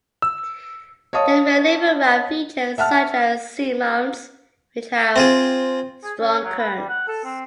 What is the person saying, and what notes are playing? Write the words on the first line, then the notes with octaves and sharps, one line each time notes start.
They may live around features, such as seamounts, which have strong currents.
E6
C#5 D#5 F5 A5 D#6
E5 F#5 A5 F6
C4 F4 G#4
G#4
C#4
F#3
B4
G3
F#5
A4
C4